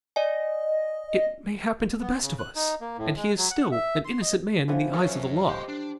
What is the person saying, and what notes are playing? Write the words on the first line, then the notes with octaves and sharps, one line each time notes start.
"It may happen to the best of us; and he is still an innocent man in the eyes of the law."
D5 D#5 G#5
B3
C#3
F#6
D#4
A#3
A2
G#3
F#3
F#5
E5
C6
D#5
E3 F3 B3
F#2 C#4 A4 A#4
G4 C5 D#5 G5 C6
D4